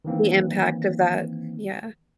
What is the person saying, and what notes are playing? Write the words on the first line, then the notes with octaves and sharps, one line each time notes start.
The impact of that, yeah.
D#3 E3 A#3 C4